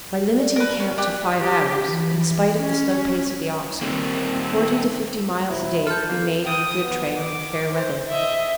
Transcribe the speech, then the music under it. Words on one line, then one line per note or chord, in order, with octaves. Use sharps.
By limiting camp to five hours, in spite of the slow pace of the oxen, forty to fifty miles a day could be made on a good trail in fair weather.
D5
A#4 B4
C#4
D4 G4
G4
E3
C#4
D#3 G3 A#3 C4
E1 E4 C5
A4 A5 C6 F6 G6
A#3 C4 C5
G5 D#6
B3
D6
C5
D#5 E5